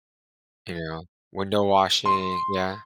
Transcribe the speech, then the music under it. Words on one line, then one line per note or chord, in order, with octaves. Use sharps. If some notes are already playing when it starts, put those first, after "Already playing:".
you know, window washing yeah?
C6